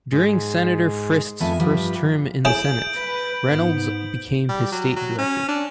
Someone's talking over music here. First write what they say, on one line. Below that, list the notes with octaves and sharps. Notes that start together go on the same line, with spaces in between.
During Senator Frist's first term in the Senate, Reynolds became his state director.
G#2
F2 A3 B3 E5 G#5
G2 F3 B4
E4 G#4 C#5 G6 D7 F#7
B4
G#2 B3
G3
F#3
F#3
C#4
D4